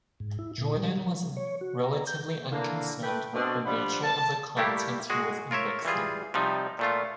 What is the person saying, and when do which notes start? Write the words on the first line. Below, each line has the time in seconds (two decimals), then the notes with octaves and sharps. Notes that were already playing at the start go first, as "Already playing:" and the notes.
Jordan was relatively unconcerned with the nature of the content he was indexing.
0.20 G#2
0.39 E4
0.58 A#2
0.77 G3
1.06 F3
1.37 C#5
1.61 F#4
1.83 A#5
2.07 G6
2.52 A#2 D3 E3 A#3
3.03 A3 B4 G5
3.34 B2 C4 D4
3.65 F3 G3 D4 F4 F#5 B5
4.03 A5
4.57 G3 A3 A#3 E4 G4
5.10 G#3 F#4 G#4
5.51 F4 A#4 C#5 E5
5.85 E3 G3 F4 G#4
6.34 C3 F3 G3 D#4
6.79 A#2 A3 F4